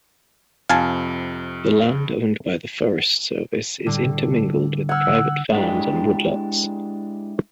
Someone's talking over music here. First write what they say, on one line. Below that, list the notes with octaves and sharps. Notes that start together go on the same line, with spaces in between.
The land owned by the Forest Service is intermingled with private farms and woodlots.
F2 C3 F5 G#5 A5
A2 D3 G3
F#5 E6 F6 G#6
G#3 D4 E4 G4